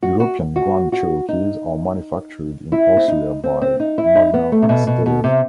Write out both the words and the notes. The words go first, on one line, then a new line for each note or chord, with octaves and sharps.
European Grand Cherokees are manufactured in Austria by Magna Steyr.
F#4
F#4
F#4
F#4
D#4
E4
C4
D#4
C4
C4
D#4
E4
D#4
B3
A3
C3
B2
B2
B2
C3